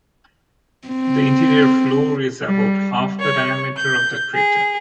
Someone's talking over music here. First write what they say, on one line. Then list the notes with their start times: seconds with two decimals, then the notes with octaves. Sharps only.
The interior floor is about half the diameter of the crater.
0.88 C4
2.46 G3
3.19 C#5
3.76 G6
4.33 G#4